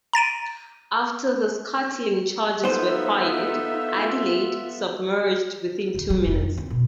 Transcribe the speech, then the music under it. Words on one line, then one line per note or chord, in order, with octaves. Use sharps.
After the scuttling charges were fired, "Adelaide" submerged within two minutes.
A#5 A6 D7 D#7
B3 D#4 F4 A4 C5 E5
D#2
F#3
F1
F4
C4
B2